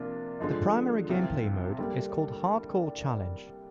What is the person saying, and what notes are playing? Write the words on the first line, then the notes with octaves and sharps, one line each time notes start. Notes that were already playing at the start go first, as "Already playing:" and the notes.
The primary gameplay mode is called Hardcore Challenge.
Already playing: C3 F3 A#3 D4 F4
D3 F3 G#3 D#4
C2 C3 F3 C4 F4
D3 G3 A#3 D4 G4